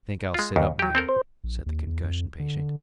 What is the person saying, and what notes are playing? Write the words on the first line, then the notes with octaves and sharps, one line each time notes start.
"I think I'll sit up now," said the concussion patient.
G#3 F4
D#2 C#3
F#3 G4 G5
C4 A4 A#4
C5
A#1
D#2
E2
F2
D3